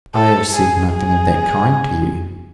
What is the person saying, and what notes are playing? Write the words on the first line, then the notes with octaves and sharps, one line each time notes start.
"I have said nothing of that kind to you."
A4
G#4
G#4